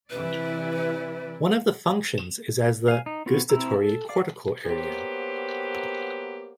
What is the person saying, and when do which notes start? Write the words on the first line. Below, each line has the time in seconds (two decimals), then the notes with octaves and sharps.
One of the functions is as the "gustatory cortical area".
0.10 C3 E3 E4 B4 D5
2.88 F5 G#5
3.06 D#4
3.26 B3 C4 F4 F#4
3.49 C4 E4 C5 A#5 E6
3.77 A4
4.09 D5 F5 D6
4.65 F#3 A#3 B3 G4 C5